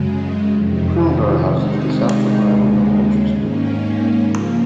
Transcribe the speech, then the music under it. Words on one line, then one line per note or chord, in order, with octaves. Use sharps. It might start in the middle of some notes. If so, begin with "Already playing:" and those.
Primghar houses the South O'Brien Elementary School.
Already playing: F#2 C#3 G#3
F2 C3 D#3
C3 D#3 G#3 D#4
D#2 C#3 G#3
G#2 D#3 A#3 C#4
C#3 F3 A#3